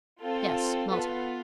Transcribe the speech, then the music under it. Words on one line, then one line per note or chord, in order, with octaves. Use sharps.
"Yes; Malta."
C4 F4 A4
B3 F4 A4 B4